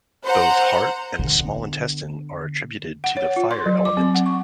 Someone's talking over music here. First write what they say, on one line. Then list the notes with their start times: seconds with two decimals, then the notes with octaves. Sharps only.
Both Heart and Small Intestine are attributed to the Fire element.
0.23 C5 F#5 A#5
1.19 D3 B3
3.04 F#5
3.17 C#5
3.36 F4
3.51 C6
3.66 F#3
3.85 D6
3.97 C4
4.15 F#5
4.26 C#6